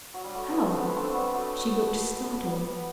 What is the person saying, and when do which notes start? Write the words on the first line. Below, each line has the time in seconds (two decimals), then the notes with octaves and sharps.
"How?" She looked startled.
0.14 F#3
0.24 G3
0.34 F#3 A3
0.49 G3 B3
0.63 A3 C4
0.77 B3 D4
0.96 A3 C4
1.14 G3 B3
1.33 F#3 A3
2.45 G3 B3